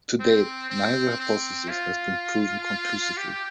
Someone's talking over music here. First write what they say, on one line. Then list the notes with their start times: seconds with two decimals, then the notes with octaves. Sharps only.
To date neither hypothesis has been proven conclusively.
0.20 C4
0.70 C4
1.20 C4
1.69 F4
3.17 G4